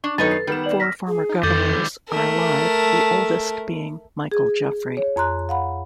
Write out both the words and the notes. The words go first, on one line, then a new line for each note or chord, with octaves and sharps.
Four former governors are alive, the oldest being Michael Jeffery.
D4 C#6
F#2 D#3 B3 D#4 A4 B4 C#5 A6
C7
D#3 G3 B3 E7
D5 F#7
F6 A#6 B6
G#4
D#4
F2 D#3 F3 A4 D6 G6 A6
A3 A#4
G#4
C#5
F2 A#5 C6 F#6
F5 F#5 B5